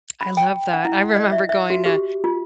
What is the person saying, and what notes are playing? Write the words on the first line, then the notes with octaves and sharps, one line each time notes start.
I love that. I remember going to,
B5
G5
F#5
E4
D#5
E5
E5
F#4
G4
F4